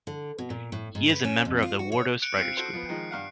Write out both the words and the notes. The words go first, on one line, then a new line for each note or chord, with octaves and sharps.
He is a member of the Wordos writers' group.
D3
B2
A#2
A2
G#2
B4
C#4
F2
F4
F#4
C#5
F#6 C#7 D7
C4 F4 C7 C#7
F#4 A4 C5
F3 B3
D#3 F3 G#3
G2 F5 F#5